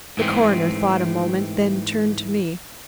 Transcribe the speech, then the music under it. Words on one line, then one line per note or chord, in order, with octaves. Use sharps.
The coroner thought a moment, then turned to me.
G#2 E3 A3 C4